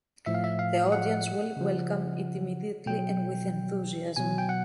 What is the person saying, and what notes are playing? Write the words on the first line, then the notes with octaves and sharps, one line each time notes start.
The audience will welcome it immediately and with enthusiasm.
A2 F3 E5
F5
E5
F5
F#5
C#3 F3
B2 F#3 G5
B2 F#3 G#5
G5
F#5